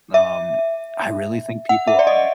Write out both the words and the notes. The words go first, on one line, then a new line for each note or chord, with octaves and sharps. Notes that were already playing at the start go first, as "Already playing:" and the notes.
Um, I really think people are
E5
F#5
E5
D5
D#5